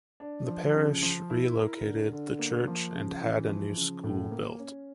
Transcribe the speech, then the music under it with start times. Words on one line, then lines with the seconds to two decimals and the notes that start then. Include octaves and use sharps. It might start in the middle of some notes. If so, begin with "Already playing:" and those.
The parish re-located the church and had a new school built.
0.20 D4
0.47 F3
0.75 C#3
1.02 F3
1.30 E4
1.57 A#4
1.84 D3
2.12 D3
2.39 A#3
2.67 F3
2.95 C#3
3.21 E3
3.49 F3
3.77 C#3
4.04 A2
4.31 A#3
4.59 C#4